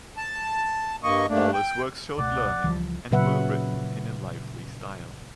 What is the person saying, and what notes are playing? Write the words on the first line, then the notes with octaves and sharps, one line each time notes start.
All his works showed learning, and were written in a lively style.
A5
G2 A#3 D#5 C#6
G2 A3 A#3 D4
G5
C#2 B2 A3 D5 F#5
C#2 E3 F3 G3
A#2 C#3 F#3 B4 E5 F#5